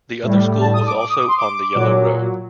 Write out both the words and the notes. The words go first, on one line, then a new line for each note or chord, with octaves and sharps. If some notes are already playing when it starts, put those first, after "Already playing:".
The other school was also on the Yellow Road.
A2 G3
A5
D#6
D6
D6
D#6
D6
C6
D6
A#2 F#3